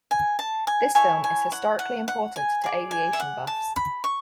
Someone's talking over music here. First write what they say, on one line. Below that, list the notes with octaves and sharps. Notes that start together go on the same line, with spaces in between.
This film is historically important to aviation buffs.
G#5
A5
G#5
E4 A4 C#5 G#5
G#5
F#5
F#5
F#5
G#5
G#4 D5
G#5
E5
F#5
A5
B5
C#6